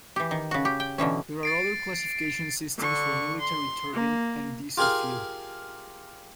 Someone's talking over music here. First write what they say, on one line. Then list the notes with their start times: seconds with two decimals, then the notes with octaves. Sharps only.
There are other classification systems for military turbine and diesel fuel.
0.16 E3 G4
0.31 D#3
0.51 C#3 F#4
0.65 G4
0.80 G5
0.98 B2 D3 E3 C#4
1.43 A6 C7 D7
2.78 D3 C#6
3.40 C6
3.93 A#3
4.78 F4 G4 G#4 A#4 F5